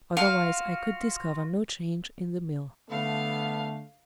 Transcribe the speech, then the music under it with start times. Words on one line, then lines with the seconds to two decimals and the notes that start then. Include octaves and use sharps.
Otherwise, I could discover no change in the mill.
0.17 F4 F#4 F5
2.90 D3 A3 B3 F5